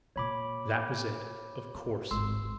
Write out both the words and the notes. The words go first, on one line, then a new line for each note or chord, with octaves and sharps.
That was it, of course.
A#2 A#3 C#5 B5 D6
F4
D1 G#1 C6 E6